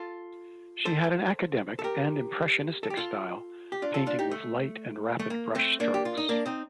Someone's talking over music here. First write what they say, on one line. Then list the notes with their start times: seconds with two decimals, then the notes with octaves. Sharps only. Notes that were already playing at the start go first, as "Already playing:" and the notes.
She had an academic and impressionistic style, painting with light and rapid brushstrokes.
Already playing: F4 A4
0.85 A4 C5
1.79 A4
1.84 G4 A#4
2.83 A4
2.90 G4
2.97 F4 A4
3.72 G4
3.82 D4 F4
3.94 F4 A4
4.07 D4 F4
4.19 D#4 G4
4.31 A3
5.19 A3
5.30 A#3
5.55 A3 C4
5.80 A#3 D4
5.94 G4
6.05 F4
6.17 D#4
6.29 A#3 D4
6.46 C4 D#4